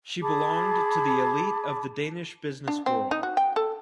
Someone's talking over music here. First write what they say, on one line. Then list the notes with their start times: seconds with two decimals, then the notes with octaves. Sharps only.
She belonged to the elite of the Danish business world.
0.22 G#4 A5 B5 D6
2.68 D4
2.86 C4
3.11 D#4
3.23 F#4
3.37 G5
3.56 A4